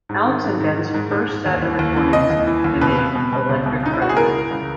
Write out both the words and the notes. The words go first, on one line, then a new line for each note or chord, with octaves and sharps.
Alex and Ben's first set of recordings with the name "Electric President".
G#2
D#3
G#2
G#2
D#3
G#2
G#2
G#2
D#2
E3
D#2
E3
E3 D#5
D#2
E3
D#2
B2 B4
B2
B2
B2
C#2
B2
B2 D#4
E4
C#2 F#4
G#4
E3 A#4
E3
C#2